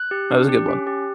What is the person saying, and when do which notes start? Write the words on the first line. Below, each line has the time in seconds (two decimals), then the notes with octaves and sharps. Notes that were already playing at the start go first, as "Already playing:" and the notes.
That was a good one.
Already playing: F#6
0.11 G4
0.30 D4
0.49 G4
0.68 C#4
0.87 G4